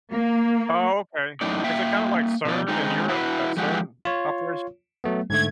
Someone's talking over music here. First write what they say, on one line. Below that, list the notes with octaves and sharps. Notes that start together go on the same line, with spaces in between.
Oh, okay. Is it kinda like CERN in Europe that CERN operation?
A#3
F#2 A2 D#4 D5
A#3 E5 G5
B2 F3 D5
D3 D#3 G#3 C4 D#4
E4 F#4 B4 E5
F3 G#3 G4 F#5
F4 C#5
F#3 A3 B3
G#2 D3 A3 G#6